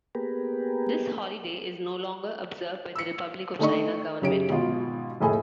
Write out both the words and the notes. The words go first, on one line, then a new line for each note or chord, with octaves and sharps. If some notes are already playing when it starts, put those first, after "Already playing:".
This holiday is no longer observed by the Republic of China government.
A#3 B3 G4 G#4 A#4 B4
E6 C#7
D#3 A3 D4 D#5 C#6
F#2 C#3 G4 C#5 D7
G#1 B2 F4
F1 A2 G#4 A4 G#5